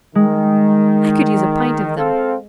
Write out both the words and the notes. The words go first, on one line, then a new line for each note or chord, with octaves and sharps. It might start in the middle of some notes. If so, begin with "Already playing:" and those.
I could use a pint of them!
D#3 G#3
C4 A4 F5